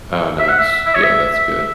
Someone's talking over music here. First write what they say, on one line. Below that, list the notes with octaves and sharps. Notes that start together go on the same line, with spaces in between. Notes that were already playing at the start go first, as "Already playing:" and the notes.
Oh, nice. Yeah, that's good.
E5
F#5
E5
E5
C#5
E5
E5